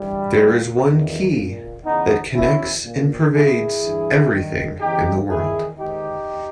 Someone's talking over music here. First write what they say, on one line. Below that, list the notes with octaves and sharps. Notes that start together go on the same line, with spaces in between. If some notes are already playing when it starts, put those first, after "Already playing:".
There is one "qi" that connects and pervades everything in the world.
Already playing: G2 E3 G3
A#2
E2 D#3
A#2
E2 C#3 E3 B3 D#4
E2 B2 C#4 E4
A#2
A#2 E4 G#4
G2 E3
G2 D#3
E2 C#3 E3 D#4 G4
E2 D#3 E4 G#4
G#2 D#3 D#4 G4